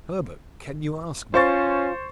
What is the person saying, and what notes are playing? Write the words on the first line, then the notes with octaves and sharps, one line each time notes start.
"Herbert, can you ask me?"
C#4 F4 C5 C#6 A6